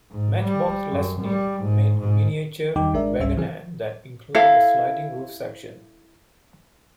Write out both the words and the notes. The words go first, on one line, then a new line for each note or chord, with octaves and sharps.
Matchbox-Lesney made a miniature Wagonaire that included a sliding roof section.
G#2
G3
F#2
G3
G#2
G#2
E2 D#3 G3 D#4 G5 D6
G#1 G#3 D4 A#4 D5 E5
G1 C#2 G#2 G3 C#4 E5
C#3 E3 C4 G#4
E4 A4 F5